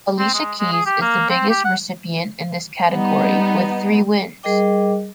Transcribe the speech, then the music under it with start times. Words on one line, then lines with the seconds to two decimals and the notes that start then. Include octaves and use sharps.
Alicia Keys is the biggest recipient in this category with three wins.
0.19 C4
0.34 G#3
0.59 G#3
0.72 G#4
0.86 G4
1.02 A#3
1.30 C4
1.49 G4
1.64 F#5
2.91 G3 B3 D#4
4.43 G3 G#4 A#4 D#5 G5 D6